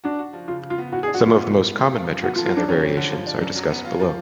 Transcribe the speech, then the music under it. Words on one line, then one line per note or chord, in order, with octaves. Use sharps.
Some of the most common metrics and their variations are discussed below.
D4 F#4
F#4
F3
C#3 F4
C#3
F4
B3
A2 F#4
G#4
D4
F#4
G#3 F4
B3
A2
B3
F4
F3
F#2
B3 F#4
F4
A4
F4
F#3 D4
F2 C#4
F2
D3
F3
D4
F#2
F#3
B3
F4
F3